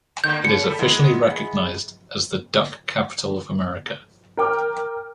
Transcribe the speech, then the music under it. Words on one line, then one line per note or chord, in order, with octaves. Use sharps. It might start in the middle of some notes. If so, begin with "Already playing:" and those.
It is officially recognized as the Duck Capital of America.
D3 A#3 G6
C#3 C#7
G3 A4
G#3 B3 E4
A#4 G5 D6 F6